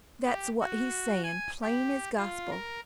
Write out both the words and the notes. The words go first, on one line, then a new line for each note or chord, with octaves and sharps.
That's what he's saying, plain as gospel!
G4
F#4
G#5
G4
F4
A#4